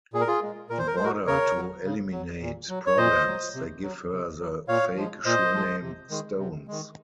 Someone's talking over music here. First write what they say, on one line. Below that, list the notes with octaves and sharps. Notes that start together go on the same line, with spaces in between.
In order to eliminate problems, they give her the fake surname Stones.
A#2 G#4
A#4
F4 G#4
G#3
A#2 A#4
C5
A#4
G#3 C5
F#4 A#4
C#3 A#4 C#5
F#3
C#3
F#3
A#2
F#3
C#5
A#2 C5 D#5
F#3
C3
F#3
C3
F#3
A#2 C#5 F5
F3 G#3
A#2 C5 D#5
F3 G#3
C3
D#3 G#3
C3
D#3 G#3